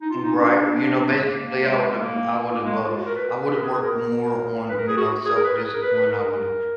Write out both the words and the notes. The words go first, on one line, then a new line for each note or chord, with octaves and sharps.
Right, you know, basically, I would've I would've uh, I would've worked more on, you know, self-discipline, I would've
D#4
F4
D#4
D4
G#3
A#3
G#3
A#3
A#3
G#3
F4
F#4
A#4
B4
A#4
G#4
G#4
A#4
B4
A#4
G#4
F#4
G#4
A#4
B4
A#4
G#4
A#4
B4
B4
A#4